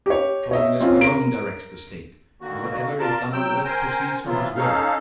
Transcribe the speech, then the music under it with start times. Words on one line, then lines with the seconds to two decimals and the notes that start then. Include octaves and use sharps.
His holiness alone directs the state, and whatever is done on earth proceeds from his will.
0.06 G4 C#5
0.51 C#5 D#5 E5
0.80 C4 C#4 F4
1.01 A#4 D7
2.41 D3 D#3 A#3 F#4
2.99 F4 A#4 D5 A5
3.32 F#3 G5 E6
3.64 A#4 C5 G5 G#5
4.25 C3 E3 F#3 B3 E4 F4
4.56 C#4 D#4 A4 F5